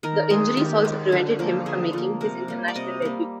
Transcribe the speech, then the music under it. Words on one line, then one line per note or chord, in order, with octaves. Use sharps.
The injuries also prevented him from making his international debut.
D#3 A#4
G#3 G#4
D#3 G4
G#3
D3
F3 A#3
D3 G#4
F3 A#3
C3 A#4
G3 A#3
D5
C3 D#5
G3 A#3